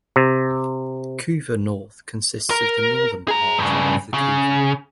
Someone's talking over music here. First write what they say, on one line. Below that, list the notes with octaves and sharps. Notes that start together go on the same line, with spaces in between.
Couva North consists of the northern part of the Couva.
C3
A#4
G#4 A#5
G2 C#3
C#3